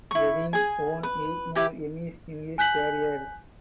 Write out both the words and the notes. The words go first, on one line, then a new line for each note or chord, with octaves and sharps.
Ewing won eight more Emmys in his career.
E4 C#6
G#4 G#5
B4
E4 G4 G5
G#5 F#6 G6 B6 F#7